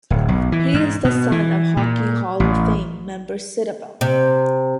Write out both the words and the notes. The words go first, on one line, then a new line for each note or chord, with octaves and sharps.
He is the son of Hockey Hall of Fame member Sid Abel.
D1
B1
E3
G#2
B2
E3
A#2
A1
C3